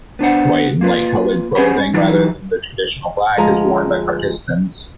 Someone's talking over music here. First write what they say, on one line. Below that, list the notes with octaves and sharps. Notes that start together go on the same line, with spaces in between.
White and light colored clothing, rather than the traditional black, is worn by participants.
B3 D4 C5 F#5
A#3 F4 B4
C#4 D#4 G#4 C5 F#5 B5
C#4
E3 F#3 D#4 E4
D2 F3 G#3 A#5